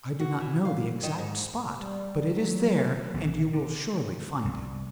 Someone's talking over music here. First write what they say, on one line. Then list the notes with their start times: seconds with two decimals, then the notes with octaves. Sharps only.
I do not know the exact spot, but it is there, and you will surely find it.
0.20 F#4
0.40 E3
0.65 F5
1.03 D#3
1.18 G#2
1.75 G3
2.30 F#3
3.14 A#1 E3 B3
3.53 D3
4.45 C2